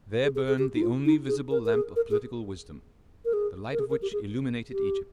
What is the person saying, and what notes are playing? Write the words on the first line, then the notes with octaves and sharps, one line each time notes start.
There burned the only visible lamp of political wisdom, the light of which illuminated Egypt.
G#4
G#4
G#4
G4
D#4
F4
D#4
G#4
A#4
A#4
G#4
A#4
G#4
A#4
G#4
A#4
G#4
A#4
G4
G#4
G4